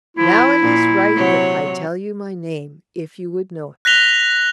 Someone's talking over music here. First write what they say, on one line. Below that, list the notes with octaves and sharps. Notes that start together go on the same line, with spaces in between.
Now it is right that I tell you my name, if you would know it.
F3 E4
A#2
C3 F#3 C#5
F#6 A#6 B6 F7 G7